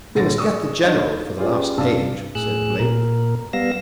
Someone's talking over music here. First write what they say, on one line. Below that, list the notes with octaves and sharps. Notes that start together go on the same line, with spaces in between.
"We must get the General for the last page," said Blake.
A2 D3 A6 A#6
G#4 D5 C#6 D#6 E6
D4 D#4 C#5 D#5
C#4 F4 G4 G#4 B4 D5
G2 C3 D5 F5 A5 E6
A2 G#4 E6 F#6
A#2 A#4
G3 B3 F5 E6 A#6